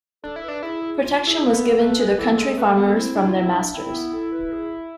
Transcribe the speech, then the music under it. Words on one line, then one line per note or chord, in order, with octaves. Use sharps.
Protection was given to the country farmers from their masters.
D4 A4
E4
B4
D4
E4 G#4
G#4
F4
E4 G#4
B4
B3 A4
A3 B4
G#3
E3 A4
G#3
A3 B4
A4
B3 G#4
A4
C4 E4
D4
F4
C4 E4
D4
C4 E4
B3
A4
B4
G#4